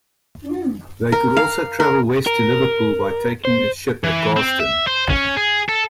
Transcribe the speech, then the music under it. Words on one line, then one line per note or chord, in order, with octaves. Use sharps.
They could also travel west to Liverpool by taking a ship at Garston.
A#4
F5
A#4
A#4
C5
E3
C4
E5
C5
C#4
G#4
A4